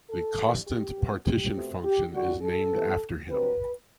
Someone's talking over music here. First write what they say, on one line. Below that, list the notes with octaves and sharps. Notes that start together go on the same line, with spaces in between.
The Kostant partition function is named after him.
A4
G2 E3 G3
G4
F#2 F#3 B3
G4
B2 A3 C4
G4
F#2 D3 G3 F#4
A4
C3 E3 B3
G2 F#3 C4 B4